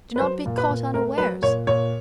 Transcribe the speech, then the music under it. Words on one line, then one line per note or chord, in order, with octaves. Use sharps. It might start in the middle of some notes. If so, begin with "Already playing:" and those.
Do not be caught unawares.
B4
F#3 C5
A#2
B4
A#2
A3 A#4
F#3 B4
A#2 C#5
A#2 C#5